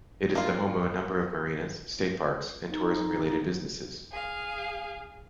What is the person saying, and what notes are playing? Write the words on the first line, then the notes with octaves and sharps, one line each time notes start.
It is the home of a number of marinas, state parks and tourism-related businesses.
A#3 F4
D#4
G#4 F5